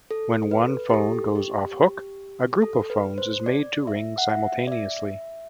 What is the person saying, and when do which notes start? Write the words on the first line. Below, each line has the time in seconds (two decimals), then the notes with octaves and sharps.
When one phone goes off-hook, a group of phones is made to ring simultaneously.
0.11 A4
0.43 A4
0.51 B4
0.90 G4
0.94 A4
1.35 G4
2.62 A4
2.90 B4
3.18 C5
3.46 D5
3.87 E5
4.18 F#5
4.29 E5
4.67 D5
4.72 E5